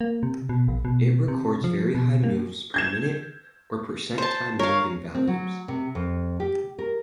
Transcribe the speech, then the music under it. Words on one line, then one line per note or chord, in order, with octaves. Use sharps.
It records very high moves per minute or percent time moving values.
A#3
C3
B2
A#1
B2
C3
F3
B2
A#3
G6 G#6 E7
C5 A5
A#4 C#5 F5
C4
F#3
C3
F2
G4
A#4